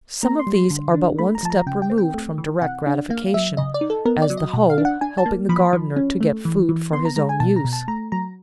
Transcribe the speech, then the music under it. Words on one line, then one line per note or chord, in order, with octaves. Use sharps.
Some of these are but one step removed from direct gratification, as the hoe helping the gardener to get food for his own use.
A#3 A#5
C6
G3
C6
D3
D4
A3 B5
A#5
F3 A5
A#5
C#3 G5
G5
C4
G5
A3
E3
C3 F#5
D4
A#3 F5
F#3 E5
C#3 D#5
D5
D#4
A4
B3 A#4
D5
F#3
D#5
B2
F5
D4
F#5
D4 G#5
A5
A#3
F3 B5
F3
C#4
A3
E3
E3
B3 C6
A#5
G#3 A#5
G#5
B2 A5
A#5
B2
A5
A3 A#5
F#3 A#5